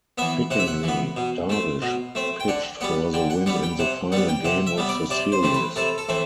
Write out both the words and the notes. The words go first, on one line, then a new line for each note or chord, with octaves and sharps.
Fittingly, Darvish pitched for the win in the final game of the series.
E3 B3 E5
C3 F#5
E5
F#5
E3 B3
B2
A3 C4
B2
A3 C4
G5
D3 F#5
G3 B3 F#5
D3 G5
F#5
G3 B3 F#5
G5
C3 F#5
G3 B3 F#5
G5
C3 F#5
E5
G3 B3
D5
C3 D5
C5
E3 A3 C4
B4
C3 A4
A4
E3 A3 C4